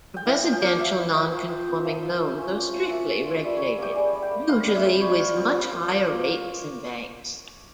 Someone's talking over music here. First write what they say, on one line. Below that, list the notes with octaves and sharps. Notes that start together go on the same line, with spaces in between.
Residential non-conforming loans are strictly regulated, usually with much higher rates than banks.
G5
E4 F5
F3 G5
G5
A#3 F5
F3 E5
E4
E4
F3
F4
C4
F3 E5
F3
C4
C#4
A#3
F4
A#3 E5
F4
F4
G3 E5
G3 C#5
A#3 G4
G3 G#4
G3
G5
A#3
C4 F5
G3 F5
E5
C4
G3 C#5
F4
C4
F4
A#3
F4
A#3
A#3